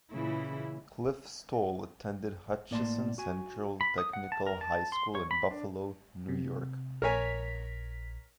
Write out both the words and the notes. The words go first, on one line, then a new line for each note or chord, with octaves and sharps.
Cliff Stoll attended Hutchinson Central Technical High School in Buffalo, New York.
A#2 C#3 E3 E4
A2 A#3 D5 F#5 A5 C6
F#4 G#5
B5
D#6
F#5
A5
A#4
A5
C6
C#5
B5
D4
C3
A#1 A#4 C#5 G#5 B6